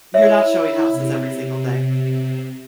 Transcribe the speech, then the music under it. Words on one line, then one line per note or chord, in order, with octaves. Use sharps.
You're not showing houses every single day.
E4 C#5 E5
C3